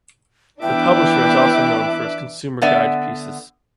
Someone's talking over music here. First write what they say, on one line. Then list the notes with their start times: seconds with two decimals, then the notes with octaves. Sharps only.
The publisher is also known for its consumer guide pieces.
0.63 E3 B3 D4 E4 E5 G5 D6 F#6
2.62 D3 B3 D5 E5